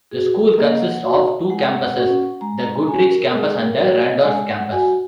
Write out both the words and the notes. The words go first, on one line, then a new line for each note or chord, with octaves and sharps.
The school consists of two campuses: the Goodrich Campus and the Randolph Campus.
F#4 G#4
A#4
A#3 D#5
F#5
F#4 C#5
G#3 F#5
C#4 F#4
G#3 A#5
A#5
C#4 F#4 G#5
A#4
G#3 G#4
A#4
F#4 C#5
D#5
G#3 G#5
F#5
F#4 G#5